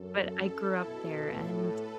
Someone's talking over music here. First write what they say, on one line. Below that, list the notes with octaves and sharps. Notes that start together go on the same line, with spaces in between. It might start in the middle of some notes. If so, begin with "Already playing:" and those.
but I grew up there, and
Already playing: F#2 A4
E4
B2 A4
A2 B4